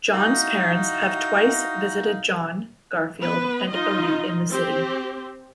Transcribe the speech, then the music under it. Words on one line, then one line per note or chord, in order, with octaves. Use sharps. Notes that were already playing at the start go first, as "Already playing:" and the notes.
Jon's parents have twice visited Jon, Garfield, and Odie in the city.
D#4 E4 F#4 D#5 F5
B3 B4
D#4 F4 D#5
C4 G4